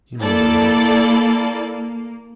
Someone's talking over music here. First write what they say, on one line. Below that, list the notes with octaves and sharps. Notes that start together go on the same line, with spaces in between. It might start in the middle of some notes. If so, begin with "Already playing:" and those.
You know the rest.
A#3 E4 A4 D5